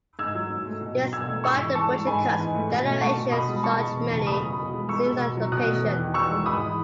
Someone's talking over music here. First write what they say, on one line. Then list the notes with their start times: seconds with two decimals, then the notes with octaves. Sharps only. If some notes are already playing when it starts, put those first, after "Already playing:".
Despite the budget cuts, "Generations" shot many scenes on location.
0.19 G#2 E6 G#6
0.35 F#3
0.50 G#2
0.66 A3
0.81 B2
0.97 F#3
1.13 B2 E6 G#6
1.29 A3
1.44 G#2 C#6 E6
1.59 E3
1.75 G#2 A5 C#6
1.92 G#3
2.07 G#2 G#5 B5
2.23 E3
2.39 G#2
2.54 A3
2.70 B2
2.86 A3
3.01 A3 A5 C#6
3.17 B2
3.32 B2 B5 D#6
3.49 G#3
3.63 G#3 A5 C#6
3.79 B2
3.95 E2
4.11 C#3
4.27 A3 B5 D#6
4.42 F#3
4.58 B2
4.74 G#3
4.89 G#3 C#6 E6
5.05 B2
5.21 B2
5.37 F#3
5.52 B2 D#6 F#6
5.68 A3
5.83 E2
5.99 D#3
6.14 E2 C#6 E6
6.31 G#3
6.46 G#2 B5 D#6
6.61 E3